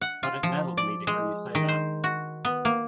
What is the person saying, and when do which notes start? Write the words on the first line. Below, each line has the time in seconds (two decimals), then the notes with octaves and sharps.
But it nettled me to hear you say that.
0.01 F#5
0.23 F4
0.43 F3
0.77 D5
1.07 G#3
1.55 D#3
1.68 C5
2.04 F#4
2.45 B3
2.65 A#3